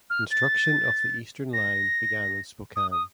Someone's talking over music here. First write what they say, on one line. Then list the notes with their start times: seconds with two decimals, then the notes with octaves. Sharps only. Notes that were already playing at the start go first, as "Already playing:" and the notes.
Construction of the eastern line began in Spokane.
0.10 F6
0.31 A6
1.53 A#6
2.76 D#6
2.91 D#6